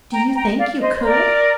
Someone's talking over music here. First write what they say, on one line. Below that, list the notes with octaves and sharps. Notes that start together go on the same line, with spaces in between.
"Do you think you could?"
G5 A#5
G5 A#5
D5 F5
C5 D#5
C5
A#4 D5